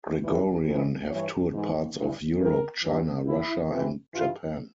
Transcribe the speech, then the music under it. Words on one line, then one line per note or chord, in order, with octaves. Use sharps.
Gregorian have toured parts of Europe, China, Russia and Japan.
G2 E3
F2 C#3 E3
G2 E3 C#5
G#2 E3
G2 E3
G2 E3 A#4
G2 E3
E2 C#3 E3 E4
F2 C3 E3
G2 E3 F4